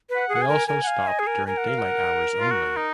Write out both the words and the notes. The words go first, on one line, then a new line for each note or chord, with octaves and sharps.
They also stopped during daylight hours only.
B4
F#5
G#4
F#5
G#5
A#4
A#4 G#5
F#5
F5
D#5
G#4
A#4
A#4 G#5
F#5
F5
F#5
F4
F#4
D#4